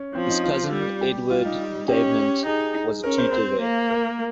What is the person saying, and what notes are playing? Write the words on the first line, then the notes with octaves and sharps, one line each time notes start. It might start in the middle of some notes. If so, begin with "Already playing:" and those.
His cousin, Edward Davenant, was a tutor there.
Already playing: C#4
F3 C4
D#4
F4
G3
G4
G3 F4
D#4
C#4 G4
D#4 G#4
C#4 A#4
C5
C4 C5
A#3
A#4